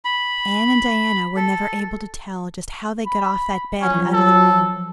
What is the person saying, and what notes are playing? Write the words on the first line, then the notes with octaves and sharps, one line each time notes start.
Anne and Diana were never able to tell just how they got off that bed and out of the room.
B5
A4
B5
F3 F#3 C#4
A4